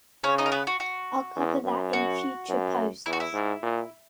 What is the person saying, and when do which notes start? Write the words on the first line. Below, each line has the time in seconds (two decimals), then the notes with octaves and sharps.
I'll cover that in future posts!
0.24 C#3 C#4 C#5
0.38 D#4 D#5
0.46 A#4
0.52 B3 B4
0.67 F#4
0.80 F#4
1.36 E2
1.64 F#2
1.93 F#4
2.49 F#2
3.06 E2 E4
3.13 F#4
3.20 E4
3.33 G#2
3.62 A#2